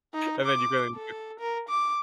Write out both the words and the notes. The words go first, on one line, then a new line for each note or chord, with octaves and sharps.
And then you go in
D#4
D6
A4
A#4
D6